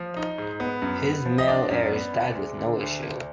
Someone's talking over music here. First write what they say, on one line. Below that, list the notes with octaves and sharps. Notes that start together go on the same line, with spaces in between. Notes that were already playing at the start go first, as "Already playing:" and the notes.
His male heirs died with no issue.
Already playing: F3
D#4
G#2
B3
F#2
B3
F3
D#5
D4 D5
F#2
B3
D2
G#3
D3
D2
D2